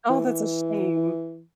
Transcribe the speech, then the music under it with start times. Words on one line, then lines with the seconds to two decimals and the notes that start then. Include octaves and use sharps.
Oh, that's a shame.
0.09 E3
0.26 E3